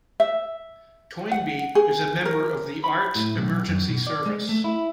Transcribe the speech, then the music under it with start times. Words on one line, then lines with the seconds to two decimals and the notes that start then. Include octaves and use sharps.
Toynbee is a member of the Arts Emergency Service.
0.20 E5
1.31 F#5
1.75 G#4
2.25 A#4
2.84 B5
3.15 A2
3.36 B1
3.68 F#2
3.89 B2
4.07 D5
4.26 G#3
4.49 A3
4.64 E4